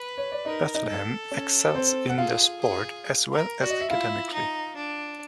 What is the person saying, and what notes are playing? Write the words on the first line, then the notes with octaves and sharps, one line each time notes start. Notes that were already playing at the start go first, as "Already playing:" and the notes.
Bethlehem excels in their sport as well as academically.
Already playing: B4
C#5
D5
D#4 A#4 D#5
D#4 D#5
A4
C#4 C#5
C4 C5
F#5
F4 G#4 F5
G#4
A#4
F#4 D5
D#5
E5
E4 F4 F5
D#4
D4